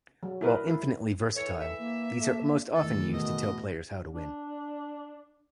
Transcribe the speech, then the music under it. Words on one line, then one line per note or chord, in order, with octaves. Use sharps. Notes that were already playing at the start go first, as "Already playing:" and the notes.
While infinitely versatile, these are most often used to tell players how to win.
F#3
E4 A#4 B4
E4
E3 A4 C#5
E5
A#3
A3
E2 A2 D#3 A4
B2 D#5
D4